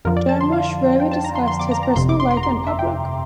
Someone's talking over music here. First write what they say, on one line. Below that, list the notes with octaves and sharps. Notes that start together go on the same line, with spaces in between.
Jarmusch rarely discusses his personal life in public.
F2 D3 F3 A#4
D5
A5
C6
F5
G5
A5
A#5
C6
C6
D6
A#5
A#5
G1 F2 C3 C6
D6
C6
C6
A#5
C6
E5
G5